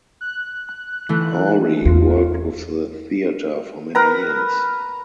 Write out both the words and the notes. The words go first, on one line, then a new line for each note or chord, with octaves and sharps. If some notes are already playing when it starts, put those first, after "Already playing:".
Hoori worked with the theatre for many years.
F#6
E3 A3
E2 F4
A#4 B4 A#5